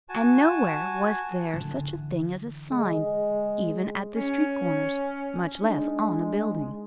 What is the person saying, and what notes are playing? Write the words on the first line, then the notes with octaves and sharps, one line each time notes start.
And nowhere was there such a thing as a sign, even at the street corners, much less on a building.
F#4 G#5 A5
D3 E3
G#3
C#4
G#3 D4 D#4